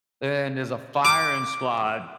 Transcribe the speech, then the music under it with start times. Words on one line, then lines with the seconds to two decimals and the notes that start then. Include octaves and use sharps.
and there's a firing squad
1.05 D6